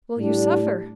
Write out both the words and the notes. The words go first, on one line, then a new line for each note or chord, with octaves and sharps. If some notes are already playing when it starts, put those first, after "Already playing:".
"Will you suffer?"
A2 G3 D4